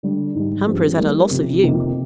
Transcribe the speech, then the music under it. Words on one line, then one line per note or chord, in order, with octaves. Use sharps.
Hamper has had a loss of you.
D3 G3 D4
G#2 D#3 G3
G2 F3 G#3 C4 G4
G3 A#3 D#4 G4
C3 F3 C4 G4
F2 C3 D#3 A#3 D#4